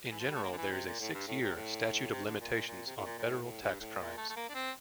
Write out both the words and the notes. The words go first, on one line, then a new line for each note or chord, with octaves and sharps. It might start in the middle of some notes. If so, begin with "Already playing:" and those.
In general, there is a six-year statute of limitations on federal tax crimes.
E3
F3
G3
A3
A#3
D3
E3
C3
A#2
A2
G2
A2
C3
A2
C3
D3
A#2
A#2
A#2
C3
A2
A#2
A#2
A2
A2
G2
A2
A#2
A3
A3
A#3
D4
C4